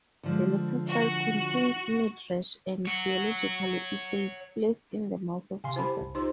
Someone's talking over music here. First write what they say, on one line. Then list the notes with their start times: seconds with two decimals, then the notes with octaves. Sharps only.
The later style contains midrash and theological essays placed in the mouth of Jesus.
0.23 D3 F3 G#3
0.88 F#4
2.85 C#5 F#5
5.64 C3 F5 G#5 C6
5.76 E4 G4 C5 A5 B5
6.01 C2
6.15 D#4 F4 G4 C5 C6